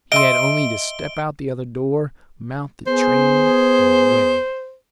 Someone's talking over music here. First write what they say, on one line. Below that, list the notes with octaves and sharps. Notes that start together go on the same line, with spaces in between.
He had only to step out the other door, mount the train, and away.
D#5 E5 C6 D7 G7
B3 G#4 C5